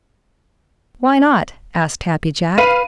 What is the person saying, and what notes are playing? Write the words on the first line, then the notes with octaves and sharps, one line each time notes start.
"Why not?" asked Happy Jack.
B4 F5 D#7